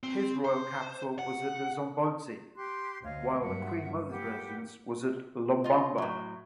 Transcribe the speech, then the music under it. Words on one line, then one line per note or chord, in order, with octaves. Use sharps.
His royal capital was at Zombodze while the Queen Mother's residence was at Lobamba.
C4
C5
F#5
G4 C6 F#6
D2 C#5 D#5 F5
G2 F#3 A#3 E5 F#5
A#3 G4 B4 F#5
F4 D#5
A2 F#3